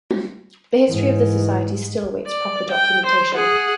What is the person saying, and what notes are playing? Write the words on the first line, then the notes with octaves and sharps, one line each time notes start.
The history of the society still awaits proper documentation.
G#2 E3
D5
G5
C5
G#4 F#5